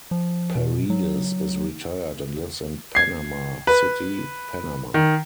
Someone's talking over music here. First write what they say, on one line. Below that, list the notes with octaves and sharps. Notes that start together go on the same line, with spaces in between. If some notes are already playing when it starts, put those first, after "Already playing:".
Paredes is retired and lives in Panama City, Panama.
F3
B2
F#3
G#6 C7
B4
D#3